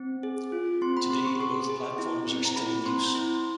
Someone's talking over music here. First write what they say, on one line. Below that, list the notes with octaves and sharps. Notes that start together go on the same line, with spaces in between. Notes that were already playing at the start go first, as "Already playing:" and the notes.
Today both platforms are still in use.
Already playing: C4
G#4
F4
C4 C6
B5
C4 C6
C#6
G#4 C6
G#4
E4
C4
A#5
E4 B5
C4 C6
E4